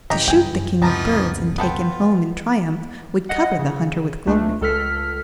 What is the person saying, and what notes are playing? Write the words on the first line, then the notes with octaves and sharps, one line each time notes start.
To shoot the king of birds and take him home in triumph would cover the hunter with glory.
G2 C#3 E3 G4 D#5 A#5
F#2 G5 G#5
C#2 C3 E3 F3 B3 D#4 A5 A#5
B3 F4 A4 G5
D#5 F#5
C#3
C#2 A3 D4
C#2 A4 F6 B6